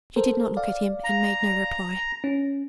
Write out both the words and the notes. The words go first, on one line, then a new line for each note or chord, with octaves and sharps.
She did not look at him, and made no reply.
A4 A#4 C5
D5 F5
A#5
C#4